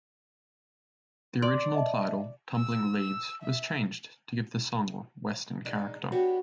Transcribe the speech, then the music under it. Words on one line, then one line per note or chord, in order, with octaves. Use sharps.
The original title "Tumbling Leaves" was changed to give the song a western character.
D5 C6
D#5 E5 A5
E6
E6
E5
G#3 D4 D#4
G#3 B3 D4 F#4 G4 C#5